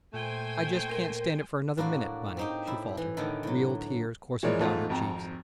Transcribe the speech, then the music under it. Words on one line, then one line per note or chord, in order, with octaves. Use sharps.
"I just can't stand it for another minute, Bunny," she faltered, real tears coursing down her cheeks.
A#2 A3 C5 G5 G#5
A#4
A2 A#3 D4 F#4
C4 D#4 G4
A2 E4 E5
E3
A2 D3 D#3 A3
A2 F#3
E3 F3 G#3 A#4 C#5 D5
E2 G#2 A3 F4 A5
G#1 F2 G5 A#5